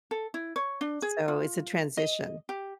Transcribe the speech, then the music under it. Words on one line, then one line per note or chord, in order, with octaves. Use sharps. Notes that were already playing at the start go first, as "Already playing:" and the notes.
So, it's a transition,
A4
E4
C#5
D4
G#4
F4
D#5
G4